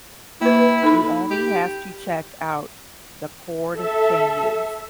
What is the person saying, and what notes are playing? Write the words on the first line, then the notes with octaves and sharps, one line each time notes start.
You only have to check out the chord changes.
A#3 E4 B4
D#4 A4 B5
G4
A4 E5